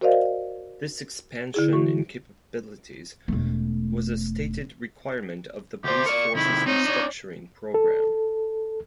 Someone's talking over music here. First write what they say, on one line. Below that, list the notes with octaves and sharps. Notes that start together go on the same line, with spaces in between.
This expansion in capabilities was a stated requirement of the police force's restructuring program.
F#4 A#4 C5 D5 D#5 F5
D3 E4 G#4
E3 F#4 C#6
E1 A3
D2 G4 C5
A#4 D5 C#6
C3 D#3 E4
C4 D#4 C#5
D4 C#5
A4